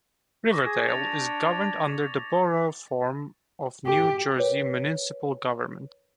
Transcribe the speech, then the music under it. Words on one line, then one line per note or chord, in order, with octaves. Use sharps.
Riverdale is governed under the Borough form of New Jersey municipal government.
C#6 D6 A#6
G#4 G#6
D4 A6 C#7 F7
G4
A#4 B4 C#5